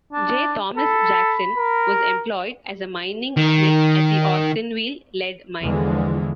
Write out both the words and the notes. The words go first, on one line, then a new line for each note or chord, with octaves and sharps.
J Thomas Jackson was employed as a mining smith at the Austinville lead mine.
D4
A4 B5
A#4
D#3
E2 D3 E3 F3 G#3